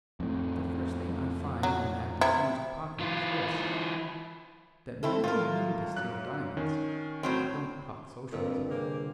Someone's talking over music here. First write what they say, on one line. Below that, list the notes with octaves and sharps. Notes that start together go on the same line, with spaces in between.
But the first thing I find in that disused pocket is this: that men who mean to steal diamonds don't talk Socialism.
F2 A2
F#3
C3 E4
E3 F4
C4 E4 A4
A2 F4 A#4
F#2 F#6
D#3 C#4
A2 F#3 C4
G1 F2 A#2 F4 E6
C3 A#3 G#4 C5 D6